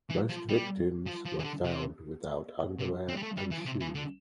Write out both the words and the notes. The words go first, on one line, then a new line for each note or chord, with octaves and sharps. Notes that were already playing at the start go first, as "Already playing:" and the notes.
Most victims were found without underwear and shoes.
E3
F3
G3
F3
F3
E3
D3
C3
C3
C4
G3
A3
G3
E3
C3
E3
D3